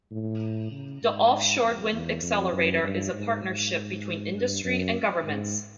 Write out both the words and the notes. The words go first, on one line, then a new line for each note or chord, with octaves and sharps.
The Offshore Wind Accelerator is a partnership between industry and governments.
A2
C#3
G#2
F2
E2
F2
F#2
G2
G#2
G#2
G2
F#2
G#2